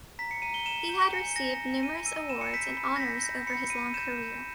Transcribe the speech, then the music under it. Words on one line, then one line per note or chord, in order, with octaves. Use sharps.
He had received numerous awards and honours over his long career.
A#5 B6
C#7
A#5 D#7
G7
A#5 E7
G6
G#5 C#7
G#5 A#6
G#5
G#5 D#7
E6 D#7
B5 E7
C#7
G6 B6
B5
A#6
G6 B6
G6 A#6
B5 C#7
B5 D#7
G6 E7